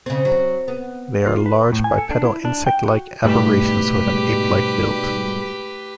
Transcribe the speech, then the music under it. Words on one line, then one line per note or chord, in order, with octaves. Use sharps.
They are large, bipedal, insect-like aberrations with an ape-like build.
C#3 C4
F#3
B3
F4
B4
A2
G#5
A4
D4
E4
D4
G5
F#4
G#2 B2 G3 A3 E4 G4 B4